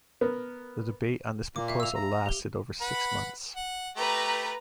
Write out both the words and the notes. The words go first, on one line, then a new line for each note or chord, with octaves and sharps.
The debate on this proposal lasted over six months.
B3 A#4
A#2 A#3 D6
E5 F5
E6 F7
A#5
G4 G7
B4 F#5 B5
F#5
A3 G4 B4 A#5